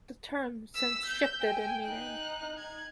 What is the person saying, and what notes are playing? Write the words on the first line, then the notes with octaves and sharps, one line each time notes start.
The term since shifted in meaning.
E6 B6
G6
G5 G#5
D#4 F#6
G#6